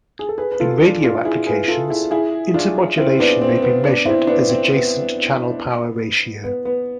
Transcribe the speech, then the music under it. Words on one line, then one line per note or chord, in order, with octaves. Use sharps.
In radio applications, intermodulation may be measured as adjacent channel power ratio.
G#4
A4
G#4 B4
B4
F4 A4
D4 F4
D4 F4
E4 G#4
G#4 B4
F4 A4
E4 G#4
E4 G#4
D4 F4
C4 E4
B3 D4
C4
B3
B3 D4
C4 E4
B3 D4
C4
B3
B3
B3